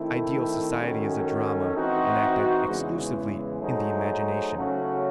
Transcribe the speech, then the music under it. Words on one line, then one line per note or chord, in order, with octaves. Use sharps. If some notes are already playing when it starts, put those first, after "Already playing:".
Ideal society is a drama enacted exclusively in the imagination.
Already playing: D#3 A3 C4 E4
D#3 G#3 C#4 F#4 A4
E3 C4 D#4 F#4 C5
E2 C#3 E3 G#3
F#3 A3 D#4 G#4 C5
C#3 F#3 A3 C#4 F#4